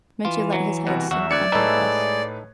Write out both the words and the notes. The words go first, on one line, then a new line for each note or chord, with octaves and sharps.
Mitya let his head sink on her breast.
E3 F4
F#3
C2 B2 F#4
E2 F#4 E5
D2 D5 F#6 G#6 C#7
A2 G#3 D#4 A4 B4 E5